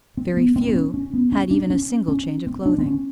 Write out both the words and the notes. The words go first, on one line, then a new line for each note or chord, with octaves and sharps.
Very few had even a single change of clothing.
C4
B3
C4
C4
C#4
C#4
B3
C#4
D4
C#4
C#4
C4
D4
C4
C#4